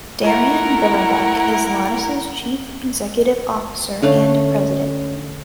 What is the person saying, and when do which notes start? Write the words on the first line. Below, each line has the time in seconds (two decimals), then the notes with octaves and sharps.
Darin Billerbeck is Lattice's chief executive officer and president.
0.20 A3 E4 A#4 F#5
4.03 D3 A3 C#4 D4 C#5 F5